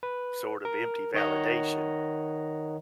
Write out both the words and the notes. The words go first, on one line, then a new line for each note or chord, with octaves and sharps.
sort of empty validation
B4
A#4
D#3 C#5 D#5 F#5 A#5